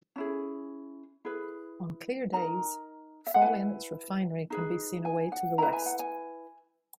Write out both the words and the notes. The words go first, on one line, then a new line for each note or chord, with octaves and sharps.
On clear days, Fawley and its Refinery can be seen away to the west.
C#4 E4 G#4
E4 G#4 B4
D#4 A#4 A#5
E5
F#5
E4 B4 G#5
D#4 G#4 B4
G#5
F#5
E4 B4 A#5
G#5
F#5
G#5